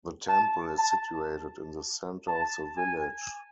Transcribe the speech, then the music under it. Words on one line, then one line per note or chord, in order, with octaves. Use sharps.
The temple is situated in the centre of the village.
A5
A5
A5
G#5